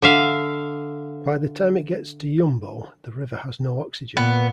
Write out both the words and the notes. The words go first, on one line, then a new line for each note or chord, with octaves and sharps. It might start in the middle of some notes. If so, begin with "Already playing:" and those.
By the time it gets to Yumbo the river has no oxygen.
D3 E5 F5
A#2 B3